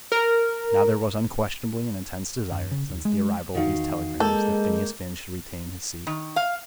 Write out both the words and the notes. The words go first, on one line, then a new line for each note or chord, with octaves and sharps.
Now there was unquestionably an intense desire,--since the arrival of these telegrams,--that Phineas Finn should retain his seat.
A#4
F#2
C#3
D#2
G#3
E2 D#3 F#4 F5
G#3 A#3 A4 G6
D#3
F5